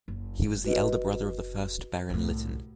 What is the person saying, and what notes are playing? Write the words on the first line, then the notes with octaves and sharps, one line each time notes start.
He was the elder brother of the first Baron Lytton.
F#1
F#4 B4 D#5
C2 A2